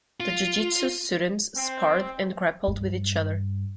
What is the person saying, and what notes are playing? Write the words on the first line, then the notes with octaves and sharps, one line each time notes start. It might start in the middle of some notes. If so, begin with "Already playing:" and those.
The jujitsu students sparred and grappled with each other.
F4
C4
G2